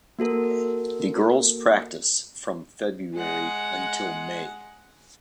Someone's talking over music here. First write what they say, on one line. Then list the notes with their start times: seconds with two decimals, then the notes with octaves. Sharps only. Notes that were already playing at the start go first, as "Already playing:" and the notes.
The girls practice from February until May.
0.19 A#3 F#4 A4 A#4
3.16 G#3 F#5